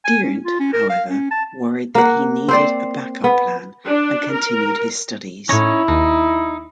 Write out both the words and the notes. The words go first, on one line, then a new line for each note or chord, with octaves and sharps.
Dirnt, however, worried that he needed a backup plan and continued his studies.
G#5
C#4
F4
C#4
A#4
F5
C#4
A5
A#3 F#5
C4 C5 D5
B3
D4
A#4
A2 C#4 D#4 E4 C#5 A#6
D#2 D#4